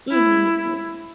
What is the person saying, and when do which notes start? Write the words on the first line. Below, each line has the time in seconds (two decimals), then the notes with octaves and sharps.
Mhm. M
0.11 E4